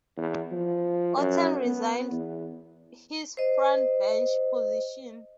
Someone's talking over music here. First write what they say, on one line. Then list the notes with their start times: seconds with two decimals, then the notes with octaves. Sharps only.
Oaten resigned his frontbench position.
0.17 E2
0.52 F3
1.17 F#2
1.64 B3
2.11 E2
3.37 C5 D#5